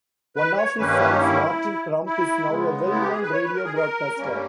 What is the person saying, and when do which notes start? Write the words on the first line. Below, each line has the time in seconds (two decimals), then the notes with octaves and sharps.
One of his sons, Martin Crump is now a well-known radio broadcaster.
0.36 B4
0.57 C#5
0.78 G2 D#3 A#3 C#4 B4
0.90 B4
1.00 B4
1.11 D#4
1.21 E4
2.06 E4
2.48 C#3 G#3 B3
2.91 E4
3.01 G4
3.12 G#4
3.23 B4
3.33 C#5
3.44 B4
3.54 A#4
3.65 G#4
3.75 A#4
4.18 G2 G3 A#3 C#4